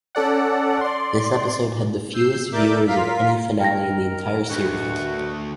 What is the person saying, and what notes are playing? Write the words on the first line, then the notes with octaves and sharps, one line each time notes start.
This episode had the fewest viewers of any finale in the entire series.
C#4 A4 D5 F#5
D5 C6
E6 G6 C7
A#4 D5 E5 D6 G6 A6
F4 A#4 F5 B6
D#3 A#4 G5 A#6
D2 B2 D3 D#3 F#4